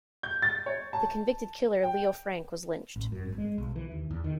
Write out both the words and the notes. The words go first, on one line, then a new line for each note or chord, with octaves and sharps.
The convicted killer, Leo Frank, was lynched.
G6
A6
C#5
A5
G5
A1
F#2
G#1
G#3
B1
E3
D#2
E2
D#3